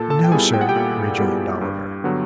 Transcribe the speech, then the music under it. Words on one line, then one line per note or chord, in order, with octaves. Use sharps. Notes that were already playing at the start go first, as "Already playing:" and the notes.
'No, sir,' rejoined Oliver.
Already playing: A#2 A4 A5
A4 A5
G5
G3 B3 E4 G#4 G#5
G5
F#5
G4 G5
A#2
G3 B3 E4
G2
D3 F#3 B3